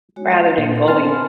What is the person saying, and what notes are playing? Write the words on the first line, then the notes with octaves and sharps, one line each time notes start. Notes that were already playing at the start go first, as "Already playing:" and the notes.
rather than going
G#3 F#4 C#5
D#5
A#2
C6
B3 C4 C5 A5 C6 F6
G#5 B5